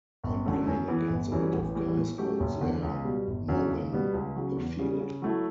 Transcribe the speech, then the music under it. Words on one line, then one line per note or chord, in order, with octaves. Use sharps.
I'm playing against a lot of guys out there, more than the field.
G1
F#2 D3 A3 C#4
F#2
E3 B3
G1
F#2 E3 G3
A1
A2 E3 G3
A2
F#3 A3 C#4 G4
F#1
E2 D3
C#2
B2 G3
G1
F#2 D3 F#3 C#4
C#2
B2 G3 B3
C#2
C#3 F#3
E2
C#3 G3
C#3
F#3 A3 E4